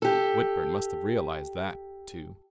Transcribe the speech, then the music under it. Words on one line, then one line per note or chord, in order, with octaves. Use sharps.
Whitburn must have realized that, too.
G4 A4